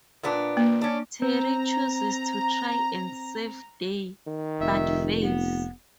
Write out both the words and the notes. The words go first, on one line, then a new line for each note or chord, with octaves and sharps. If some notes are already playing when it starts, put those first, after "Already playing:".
Terry chooses to try and save Day but fails.
A#2 B3 D4
A#3
C#4 D4
C4 A#5
D#3
F1 E5
B3